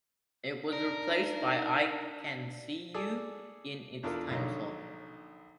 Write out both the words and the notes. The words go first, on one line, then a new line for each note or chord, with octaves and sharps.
It was replaced by "I Can See You" in its timeslot.
D4 D#4 A#4
G#4 A4 D5
E2 D4 F4 A4 A#4 F5
A#1 D3 F#3 D#4 D#5